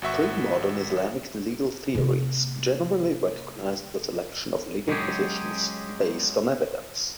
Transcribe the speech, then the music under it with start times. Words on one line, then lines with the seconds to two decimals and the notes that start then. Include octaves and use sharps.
Premodern Islamic legal theories generally recognized the selection of legal positions based on evidence.
0.02 G#1 F#4 E5 C#6
1.95 C3 A#3
4.88 F#3 G#3 B3 C#4 G4 G#4